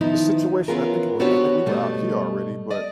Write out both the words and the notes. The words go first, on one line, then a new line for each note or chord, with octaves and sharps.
the situation? I think it was I think we were out here already, but,
D#3 F3 B3 D#4 E4
E3 B3 C#4 F4 G#4 A#4
B3 C4 D4 F#4 G4 C#5
B2 G3 A3
D5 D#5